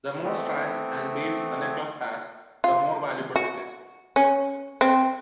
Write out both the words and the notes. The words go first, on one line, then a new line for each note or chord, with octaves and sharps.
The more strands and beads a necklace has, the more valuable it is.
E3 A3 B3 C4
F4
F#4
C#4
C4